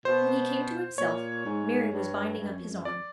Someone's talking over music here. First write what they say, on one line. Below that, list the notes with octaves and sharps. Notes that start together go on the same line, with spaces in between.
When he came to himself, Mary was binding up his arm.
B2 C5
A#2 C#5
G#2
G2
G2
F#2
F2
F#2
F2 D5